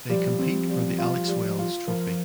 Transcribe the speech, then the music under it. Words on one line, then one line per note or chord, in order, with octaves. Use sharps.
They compete for the Alex Wells trophy.
F3 G3
C4
G3
F4
G3
F4
F3 A#4